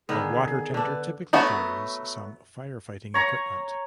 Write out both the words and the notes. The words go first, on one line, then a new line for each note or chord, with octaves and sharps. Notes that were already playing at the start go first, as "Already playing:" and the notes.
A water tender typically carries some fire fighting equipment.
D3 D#3 B3 G#4
D3 D4 B4
F#3 A3 B3 F#4
C#5 A#5 C#6